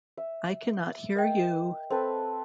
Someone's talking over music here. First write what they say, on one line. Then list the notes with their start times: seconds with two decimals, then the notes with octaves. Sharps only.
I cannot hear you!
0.17 E5
1.15 A#4 D#5 G5
1.90 C4 A4 B4